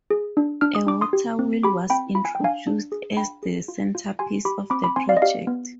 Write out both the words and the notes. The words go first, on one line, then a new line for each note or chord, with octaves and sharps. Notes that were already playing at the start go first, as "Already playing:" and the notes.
A water wheel was introduced as the centrepiece of the project.
G#4
D4
D4 F6
D#6
D4 D6
C6 D#6
G4
C4
G4 B5 D6
C4 G5 B5
F4 B5
G#5
G5
D4 F5 G#5
D4
G#4
D4 G5 B5
G#4
F4
F4
G4 G#5 C6
G4 B5 D6
C4 B5 D6
B5 D6
C4 G#5 C6
D5 F5
D#5
G4 D5 F5
B3